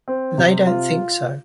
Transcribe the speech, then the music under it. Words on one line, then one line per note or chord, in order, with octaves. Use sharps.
They don't think so.
C4
C3
F4